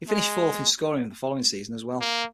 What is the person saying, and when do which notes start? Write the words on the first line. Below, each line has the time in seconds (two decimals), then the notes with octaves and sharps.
He finished fourth in scoring the following season as well.
0.09 G#3
2.01 A#3